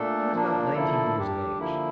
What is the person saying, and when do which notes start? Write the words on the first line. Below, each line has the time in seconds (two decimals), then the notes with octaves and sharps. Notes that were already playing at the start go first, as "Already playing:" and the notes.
He was about nineteen years of age.
Already playing: A#2 A3 D4 A4
0.33 F3 A#3 D4
0.75 D3 F3 A#3 E4 A4
1.17 G3 D4 G4
1.59 D3 F3 A#3 E4